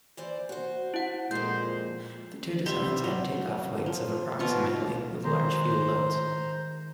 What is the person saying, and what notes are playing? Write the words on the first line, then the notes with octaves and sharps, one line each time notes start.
The two designs had takeoff weights of approximately with large fuel loads.
E3 C5 D5
F#4 C5
E4 F#5
F2 A#2 G#3 C5 G6
G3 C5 E5
F#3
F3
B2 F4 C#6
D#3 G#3 C5 A#5 C6 F#6